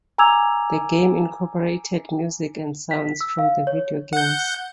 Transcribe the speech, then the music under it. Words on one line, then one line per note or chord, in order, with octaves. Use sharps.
The game incorporated music and sounds from the video games.
G#5 A#5 D6 E6 G#6 F7
B6
E6
F5
C#5
F#5 G6